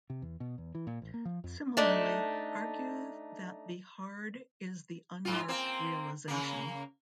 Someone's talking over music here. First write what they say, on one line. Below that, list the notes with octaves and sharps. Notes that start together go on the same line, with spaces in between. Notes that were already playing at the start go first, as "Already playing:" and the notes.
Similarly, argue that the hard is the unmarked realization.
C3
E2
B2
E2
E3
A#2
A1
A#3
F3
F2
A3 D4 D#4
G#2 F4
A#3 C4
C#3 A#3